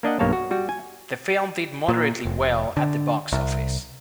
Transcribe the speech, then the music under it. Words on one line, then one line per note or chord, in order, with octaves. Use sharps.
The film did moderately well at the box office.
A#3 D4 D#5 F#5
B1 G2 A#3 C#5 F5 A5
F#4
G3 F#4
G#5
A#2
F1
D3
C2